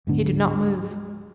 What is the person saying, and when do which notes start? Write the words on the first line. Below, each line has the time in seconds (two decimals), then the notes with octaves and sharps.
He did not move.
0.07 D1 G#2 D3 B3